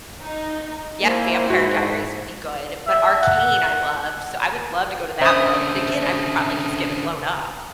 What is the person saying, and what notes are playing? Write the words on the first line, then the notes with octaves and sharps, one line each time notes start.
yeah, Vampire Diaries would be good, but Arcane I loved, so I would love to go to that world but again, I would probably just get blown up.
D#4
A#3 E4 C5
G#2 F#4
E5
F#5
D3 C#4 C5 E5 D#6